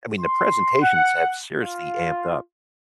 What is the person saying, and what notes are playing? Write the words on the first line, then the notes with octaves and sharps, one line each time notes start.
I mean, the presentations have seriously amped up.
C6
F#5
F4